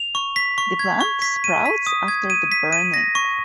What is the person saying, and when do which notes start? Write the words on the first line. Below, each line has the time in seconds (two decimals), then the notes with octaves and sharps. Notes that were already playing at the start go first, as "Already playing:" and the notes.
The plant sprouts again after burning.
Already playing: F7
0.15 C#6
0.36 B6
0.58 C#6
0.79 G#6
1.01 C#6
1.22 B6
1.44 D#7
1.66 B6
1.87 D#6
2.08 G#6
2.30 D#7
2.52 B6
2.73 D#7
2.94 A#6
3.15 C#6